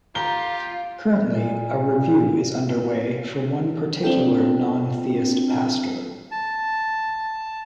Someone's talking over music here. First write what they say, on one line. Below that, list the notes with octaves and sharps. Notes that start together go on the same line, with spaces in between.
Currently, a review is underway for one particular non-theist pastor.
F4 G4 A#5 G7
A#2
C4 D4 F4 A4 G5
A5